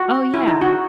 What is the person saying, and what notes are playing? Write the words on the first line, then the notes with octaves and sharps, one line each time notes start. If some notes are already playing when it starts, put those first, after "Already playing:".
Oh, yeah.
Already playing: F#4
E4
D#4
F#4